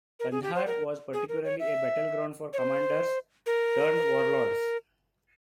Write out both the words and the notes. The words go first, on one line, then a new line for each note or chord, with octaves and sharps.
Kandahar was particularly a battleground for commanders turned warlords.
A#4
G#4
G4
C5
A#4
G#4
A#4
C#5
E5
C#5
C5
A#4